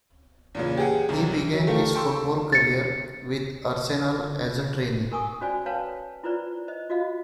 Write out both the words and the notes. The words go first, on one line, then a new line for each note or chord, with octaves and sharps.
He began his football career with Arsenal as a trainee.
E2 A#2 C#3
G4 G#4 F#5
C2 F#2 C3
F#3
A3 F4 G4 A4 A#4
A4 G5 C6 C#6 E6
A6 C#7
A#4 G#5 C#6 D#6
C#4 F#4 C5 D5 G#5
B4 C#5 F5 G5 A5
E4 F4 B4 C5 D5
C5 D#5
F4 F#4 D#5 F5